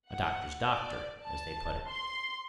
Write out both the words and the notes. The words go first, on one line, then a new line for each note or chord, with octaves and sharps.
A doctor's doctor, as they put it.
F#5
D5
A5
C6